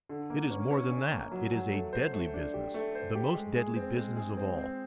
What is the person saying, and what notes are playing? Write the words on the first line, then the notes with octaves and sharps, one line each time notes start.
It is more than that; it is a deadly business, the most deadly business of all.
D3
A#3
C#4
C#4
C#4
A#3
F#3
F#3
A3
C5
A3
D4
G4
A3
C5
G4
G#3
G#4
C4
G#3
G#4
C4
C4